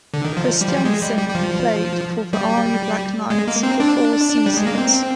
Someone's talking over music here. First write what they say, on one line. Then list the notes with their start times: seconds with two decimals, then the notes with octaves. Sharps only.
Christiansen played for the Army Black Knights for four seasons.
0.14 D3
0.25 D#3
0.37 F3
0.61 G3
0.68 F3
0.76 G3
0.85 G#3
1.02 G3
1.18 G3
1.29 G3
1.35 F3
2.33 G3
3.30 G#3
3.48 A#3
3.63 C4
3.80 D4
4.46 G3
4.57 G#3
4.67 A#3
4.78 C4